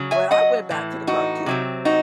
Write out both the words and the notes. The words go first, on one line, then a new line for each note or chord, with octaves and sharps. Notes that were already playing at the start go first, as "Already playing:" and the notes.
but I went back to the cartoon
Already playing: C#3 F#3
E5 G#5
D#5 F#5
A2 E3
D#4 F#4
C3 F#3 C4
D#4 F#4